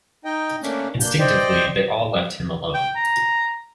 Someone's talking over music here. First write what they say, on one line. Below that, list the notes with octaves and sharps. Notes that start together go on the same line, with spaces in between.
Instinctively, they all left him alone.
D#4 D#5 G5
A3 A#3 C#4 D4
A#3 D4 G6
C5 D5 D#5 G5
G5
A#5